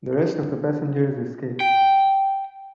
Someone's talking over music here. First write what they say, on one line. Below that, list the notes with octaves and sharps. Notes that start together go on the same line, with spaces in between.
The rest of the passengers escaped.
G5